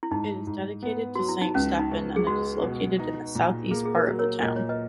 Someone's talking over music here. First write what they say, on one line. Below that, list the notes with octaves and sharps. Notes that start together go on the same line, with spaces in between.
It is dedicated to Saint Stephen, and it is located in the southeast part of the town.
E4
G#2 D#4
G#2
B3
F#3 F#4
E4
D#4
C#2 C#4
D#4
C#2
G#4
G#3 F#4
B2
D#4
A#2
A#3 G#4
G#4
A#4
F#3
A#4 C#5
A#2 D#5
C#5
B4 D#5